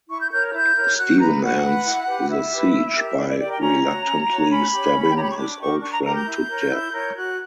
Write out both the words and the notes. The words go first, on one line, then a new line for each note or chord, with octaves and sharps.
Steven ends the siege by reluctantly stabbing his old friend to death.
E4 C#6
G6
A#4 C#5 G6
E4 G6
A#4 C#5
F#4 F#6
B4 A#5
F#4 F#5
B4
E4
G4 B4
E4 E5
G4 B4
E4
G4 A#4
E4 D5
D5
G4 A#4 D5
G5
C#4 A#5
F#4 C#5
C#4
F#4 C#5
C#4 B5
G4 C#5
C#4
G5
G4 C#5 A#5
B5
C#6
D4 D6
G4 A#4 C#6
D4 C#6
A#5
G4 A#4 A#5
G6
E4
A#4 C#5
E4
A#4 C#5
F#4 F#6